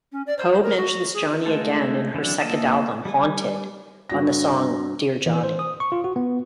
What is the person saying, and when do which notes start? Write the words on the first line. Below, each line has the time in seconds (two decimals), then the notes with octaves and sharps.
Poe mentions Johnny again in her second album, "Haunted", on the song "Dear Johnny".
0.12 C#4
0.26 D5
0.38 C5
0.50 C5
0.63 A#4
0.77 F#4
1.14 G#4
1.46 G#3 A3 F4 A4
2.14 D3 E3 F#3 D4
2.40 A#3 F4 D#5 E5 A5
3.05 G3 G#5
4.09 G2 F#4 A#6
5.26 E3
5.43 C5
5.59 D#6
5.80 C#6
5.92 F4
6.04 F#4
6.16 B3